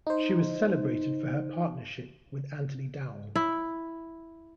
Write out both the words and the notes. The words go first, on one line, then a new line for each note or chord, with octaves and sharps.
She was celebrated for her partnership with Anthony Dowell.
D#4 C5
E4